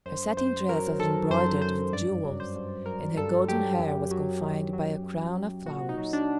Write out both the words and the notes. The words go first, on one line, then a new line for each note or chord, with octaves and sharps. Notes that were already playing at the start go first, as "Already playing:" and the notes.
Her satin dress was embroidered with jewels, and her golden hair was confined by a crown of flowers.
F#2 C5
F#2 C5
F#3 A#4
D#3 A4
F#2 C5
F#2 C5
G2 D5
F#3
C5
G2
F#3 A#4
G2 A4
F#3 G4
F#2
F#3
F#2
F#3
F#2
F#3
A#2 F#4
D#4
F#3
D4